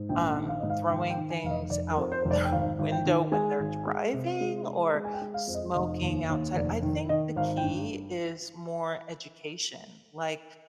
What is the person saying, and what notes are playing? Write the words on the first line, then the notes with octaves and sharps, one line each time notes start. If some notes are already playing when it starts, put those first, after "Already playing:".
um, throwing things out their window when they're driving or smoking outside, I think the key is more education. Like,
Already playing: G#2
A#1 G5
D#3
F5
G#2 D#5
F5
D#3 G5
F5
G5
D#3
G#5
F1 F5
D#5
F1 D5
A#4
F2
C5
F1 C5
D5
G5
G#1 F5
G#1
G5
D#3
G#3 G#5
G#1
G#3
C3
G#3
G#3
G#3
G#5
G5
G#3
F5
F2
D#5
F1 D#5
D#2
D#2
F1 D5
D#3
D#3 D#5
G#1 F5
G5
G2